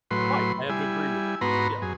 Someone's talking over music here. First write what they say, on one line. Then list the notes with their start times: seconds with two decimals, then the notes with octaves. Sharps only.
Right, I have to agree with it. Yeah,
0.11 A2 F#3 B4 C6
0.69 G3 E4 G#5
1.41 G#2 B3 F#4 B4 A#5 C6
1.82 F#2 G#4